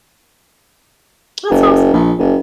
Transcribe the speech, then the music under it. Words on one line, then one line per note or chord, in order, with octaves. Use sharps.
That's awesome.
F#1
A#1
F#1